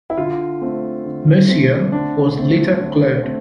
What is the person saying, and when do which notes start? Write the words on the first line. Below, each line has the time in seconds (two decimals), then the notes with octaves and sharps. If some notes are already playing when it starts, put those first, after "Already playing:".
Mercier was later cleared.
0.10 E4
0.17 D3 F4
0.62 A3 C4
1.05 D3
1.49 A3 C4
1.92 D3 D4
2.37 A3 C4
2.80 D3
3.23 A3 C4